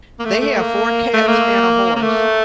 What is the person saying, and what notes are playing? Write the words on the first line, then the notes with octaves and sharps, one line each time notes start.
They have four cats and a horse.
A#3
A3
A3
A#3
A3
A#3
A#3
A3